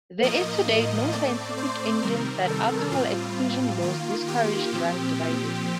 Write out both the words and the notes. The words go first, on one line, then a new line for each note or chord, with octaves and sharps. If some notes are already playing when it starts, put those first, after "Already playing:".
There is to date no scientific evidence that alcohol exclusion laws discourage drunk driving.
A2 F3 A#3 D#5
A2 A3 C4 D5
C5
C3 D#3 G3 C4 A#4
A4
A2 G3 C4 F4
D#3 A#3 F4
G4
A#2 F3 C4